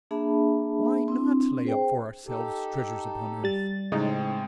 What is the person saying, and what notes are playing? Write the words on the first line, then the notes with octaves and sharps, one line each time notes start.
"Why not lay up for ourselves treasures upon earth?"
A#3 D4 G#4 E5 A5 B5
C4 D4 E4
G#4 C5 G5
D#4 G4 A4
G3 A6
A2 C#3 G#3 C4 D#4